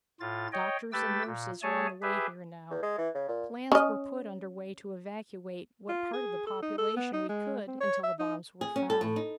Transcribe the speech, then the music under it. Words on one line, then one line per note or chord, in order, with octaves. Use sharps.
Doctors and nurses are on the way here now. Plans were put under way to evacuate what part of the population we could until the bombs were found.
A2 F4 A6
C#5 D#5 G5
A3 G4 B4 G5 E6 A6
A#2
A3 G#4 C#5 G#5 A5
G4 G#4 B4 E5
E2
G#3
E3
C#3
A#2
C#4 D#5
F4
G#4
A4
D#4
A4
B3
D#4
G#3
C4
C#5
E5
D#4
G#4
C#4
A4
A2
D#4